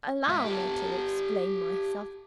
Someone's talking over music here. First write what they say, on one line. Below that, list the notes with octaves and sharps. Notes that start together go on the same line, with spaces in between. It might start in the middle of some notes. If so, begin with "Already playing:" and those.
"Allow me to explain myself."
G#2 E5
G4 A4